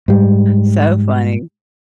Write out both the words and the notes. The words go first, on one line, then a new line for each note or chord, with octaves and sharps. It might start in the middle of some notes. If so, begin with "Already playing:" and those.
so funny.
G#2 G3